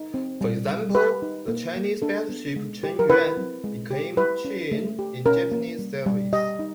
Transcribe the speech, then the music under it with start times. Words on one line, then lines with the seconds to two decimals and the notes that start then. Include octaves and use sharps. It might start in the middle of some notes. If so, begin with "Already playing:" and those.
For example, the Chinese battleship "Chen Yuan" became "Chin'en" in Japanese service.
Already playing: D#4
0.14 C4
0.41 G3
0.68 G3
0.95 G4 B4
1.22 D#4
1.48 A#3
1.76 A#3
2.02 D4 A4
2.29 B3
2.56 G#3
2.83 G4
2.99 A#4
3.09 E4 B4
3.37 C4
3.64 G#3
3.90 G4
4.17 E4 B4
4.45 C#4
4.72 A3
4.99 G4
5.26 C#4 A#4
5.52 A#3
5.79 G3
6.06 G3
6.33 G4 D#5
6.59 D#4